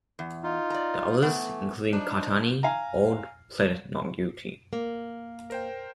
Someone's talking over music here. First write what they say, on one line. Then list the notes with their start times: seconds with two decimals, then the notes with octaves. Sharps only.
The others, including Kaitani, all pleaded not guilty.
0.19 E2
0.43 D#4 F4
0.70 D5 A#5
1.22 E3 A3 B3
1.93 F3 D4 D#4
2.63 F5 G#5 A#5
4.73 A#3
5.50 A#4 C5 G5